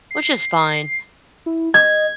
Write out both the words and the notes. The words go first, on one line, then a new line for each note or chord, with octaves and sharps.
Which is fine.
C7
E4
D#5 G#6